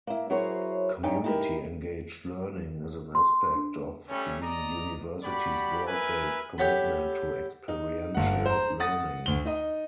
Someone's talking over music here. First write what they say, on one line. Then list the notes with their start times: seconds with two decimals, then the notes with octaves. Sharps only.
Community-engaged learning is an aspect of the university's broad-based commitment to experiential learning.
0.07 A#3 E4
0.30 F#3 E4 G#4 A#4 C5 C#5
1.03 G2 G3 C#4 D#4 G5 G#5
1.24 D#4 E4 G4 A4 A#4
3.15 C6
3.55 D4
4.08 G3 A3 C#4
4.41 D5 D#5 A#5
5.23 F#4 G4 D5 B5
5.86 A#4 B4 E5 G#5
6.58 G4 A4 C#5 F#5 A5 B5
7.68 D#4
8.15 G1 F#5
8.46 C5 A#5
8.80 F#5 D#6 A6 A#6
9.26 D2 G7
9.45 D#4 D#5